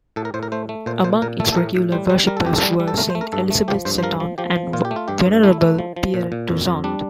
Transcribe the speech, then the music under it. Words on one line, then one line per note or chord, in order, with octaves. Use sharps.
Among its regular worshippers were Saint Elizabeth Seton and Venerable Pierre Toussaint.
A2 A4
A#4
A2 C5
A#4
A3 C5
A3
A#2 C5
A#2 C5
A#2 A#4
A3 A4
A4
A2 A#4
A2
G3 C5
G3 C5
G3 A#4
A4
F2 G4
A4
G3
G3
A4
A3 A#4
C5
A3
A#4
G2 A4
A3
F3 G4
G2 C5
C5
F3 A#4
F3
F3 G4
F3
A#2 F4
G4
A3
F4
G2 G4
F4
G2
A3 E4
A3
F3
F3
A#2
A#2
F2
F2
G3 D4